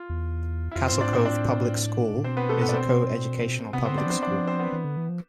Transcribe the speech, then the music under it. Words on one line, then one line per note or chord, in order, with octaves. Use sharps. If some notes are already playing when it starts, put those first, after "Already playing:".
Castle Cove Public School is a co-educational public school.
Already playing: F4
E2
E4
F2 F4
C4 C5
G#2
D4 D5
A2 C4 C5
D4 D5
A2
B2 C4 C5
B3 B4
A3 A4
B3 B4
D5
C4 C5
C3 B3 B4
C4 C5
D3
D4 D5
F3 C4 C5
D4 D5
F3
C4 C5
B3 B4
E3
D3
E3
F3